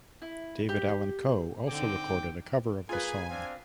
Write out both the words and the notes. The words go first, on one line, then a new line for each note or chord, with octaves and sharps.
David Allan Coe also recorded a cover of the song.
E4
G4
D3 C4 D#4 G5 D6
A#3 F4 G#4 B4 G#5
C4 D4 F5